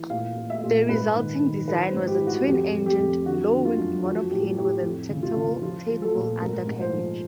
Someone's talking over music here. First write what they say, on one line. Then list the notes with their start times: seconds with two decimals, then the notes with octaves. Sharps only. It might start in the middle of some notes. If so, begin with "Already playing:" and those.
The resulting design was a twin-engined, low-winged monoplane with a retractable tailwheel undercarriage.
Already playing: E3
0.10 A#2 F5
0.36 A#2
0.50 E5
0.63 A#2
0.89 G#2 B4
1.16 D#3
1.42 D#3
1.68 E3 B4
1.88 C5
1.94 G#2
2.07 G4
2.21 E3
2.27 F#4
2.47 F2 G4
2.73 F2
2.86 G4
2.99 F2
3.26 D3 F#4
3.52 D3
3.65 F4
3.78 F#2
4.05 F3 F#4
4.31 A2 G4
4.57 A2 G4
4.83 F2
5.09 C#3
5.23 F4
5.36 C#3
5.62 F3 F4
5.89 F3
6.02 A4
6.15 A#2
6.41 G#2 A#4
6.67 G#2
6.81 C5
6.93 F3